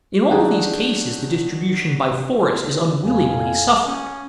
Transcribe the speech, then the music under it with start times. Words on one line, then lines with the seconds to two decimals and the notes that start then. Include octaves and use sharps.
In all these cases the distribution by force is unwillingly suffered.
0.30 D#3 F#3 D4 D#4 G#4
3.02 F2 F5 G#5
3.85 C#4